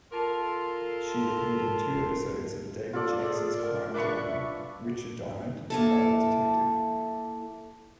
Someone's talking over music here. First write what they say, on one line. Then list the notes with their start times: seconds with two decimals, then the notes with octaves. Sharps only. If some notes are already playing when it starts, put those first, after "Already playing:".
She appeared in two episodes of David Janssen's crime drama, "Richard Diamond, Private Detective".
0.12 F4 A4 A#4 A5 C6
2.93 F4 A4 D5
3.21 G#4
3.56 A#4
3.94 D4 B4 E5 C#6
5.70 A#3 E4 A4